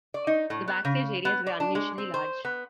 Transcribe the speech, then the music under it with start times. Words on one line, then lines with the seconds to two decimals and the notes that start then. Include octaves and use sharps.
The backstage areas were unusually large.
0.14 D5
0.27 D#4
0.50 A2
0.68 B3
0.85 C#3
1.25 B3
1.47 D5
1.60 D4
1.75 G#3
1.98 C4
2.14 C5
2.45 B3